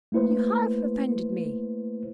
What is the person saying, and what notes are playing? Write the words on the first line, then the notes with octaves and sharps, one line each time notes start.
"You have offended me."
A3 A#3 E4 B4 C5